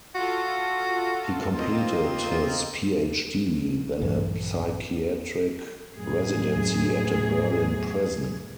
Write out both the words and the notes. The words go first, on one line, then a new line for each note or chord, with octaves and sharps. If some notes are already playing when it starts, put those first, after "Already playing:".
He completed his PhD, then a psychiatric residency at a Berlin prison.
F4 F#4 A4
A#3 C4 F4 D#5
A#1 G2 E3 F#3
F#2 A2 G#4